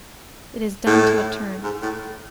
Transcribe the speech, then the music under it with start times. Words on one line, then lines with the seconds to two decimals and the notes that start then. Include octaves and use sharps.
It is done to a turn.
0.86 A2
1.63 G#2
1.82 A2